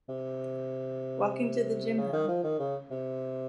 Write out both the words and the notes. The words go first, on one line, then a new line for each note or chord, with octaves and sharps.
Walking to the gym now.
C3
C#3
D#3
F3
D#3
C#3
C3